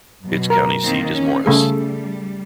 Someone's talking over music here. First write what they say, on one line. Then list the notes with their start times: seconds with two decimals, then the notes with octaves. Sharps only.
Its county seat is Morris.
0.22 F#2 B2
0.50 A#4
0.82 D#3 A#3 C4
1.11 C#4
1.46 C#3 G3 A3 G#4